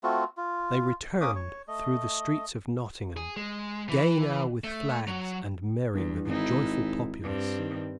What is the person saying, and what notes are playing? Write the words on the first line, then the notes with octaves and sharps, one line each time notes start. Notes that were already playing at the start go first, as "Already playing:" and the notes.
They returned through the streets of Nottingham, gay now with flags and merry with a joyful populace.
A3 C4 F4 F#4
F4
A#3 C#4 D6 D#6
C#5
A3 D#5
G#4
G#3
E3
A3
F#3
E2 G2
G#1 D#4 E4
G2 C4
D#3